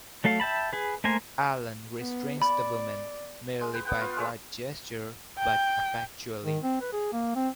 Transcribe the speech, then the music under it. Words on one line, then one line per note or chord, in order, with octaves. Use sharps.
Allan restrains the woman, merely by a quiet gesture, but effectually.
F#3 A3 A4 F5
E5 G5 A5 B5
G#4 B4
A3 A#3 A#4 C5 G#5
B3
D5 B5
G#3
B4 G5
B3 F#5 G5
F4 F5
G#3 A3 C#5 E5
G5
D#3
C4
B4
G#4
A#3
C4